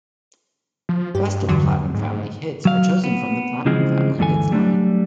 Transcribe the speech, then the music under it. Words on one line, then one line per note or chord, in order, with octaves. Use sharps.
Best of Platinum Family Hits are chosen from the Platinum Family Hits line.
F3
G2 G4
E2 D3 F#3
G#2
F#3 F5
B3
C#3 E3 F3 G#3 C4
D2 G2 E3 A4 G#5
F#3 G3 A3 C#4 D4